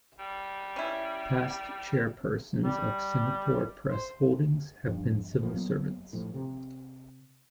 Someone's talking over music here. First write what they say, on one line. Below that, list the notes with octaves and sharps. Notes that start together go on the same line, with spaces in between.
Past chairpersons of Singapore Press Holdings have been civil servants.
G3
C#4 E4
G3
C5
E2 G2 F3 D4
A2 F3
F#1 F#3 B3
A2 F3
C3